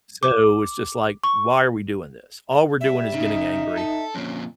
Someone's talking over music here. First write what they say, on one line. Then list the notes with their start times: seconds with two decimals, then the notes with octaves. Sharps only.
So, it's just like, "Why are we doing this?" All we're doing is getting angry.
0.23 D6
1.24 C#6
2.81 G3 E5
3.13 C#3 D#4
3.77 A4
4.15 F2 A#2 C#4